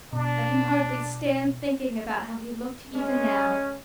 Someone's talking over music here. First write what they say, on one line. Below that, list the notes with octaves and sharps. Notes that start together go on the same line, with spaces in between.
I can hardly stand thinking about how he looked even now.
B2 D4
G#3 C#4